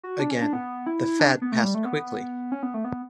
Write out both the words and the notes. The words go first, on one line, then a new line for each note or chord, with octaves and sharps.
Again, the fad passed quickly.
F#4
D4
C#4
D4
B3
E4
D4
B3
A3
G3
A3
B3
C#4
B3
A3
B3